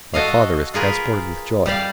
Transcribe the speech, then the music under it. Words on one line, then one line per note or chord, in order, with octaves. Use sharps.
My father is transported with joy.
F#4 A4 D#5 F5
F4 G#4 A#4 B4
G3 G4 D5 F5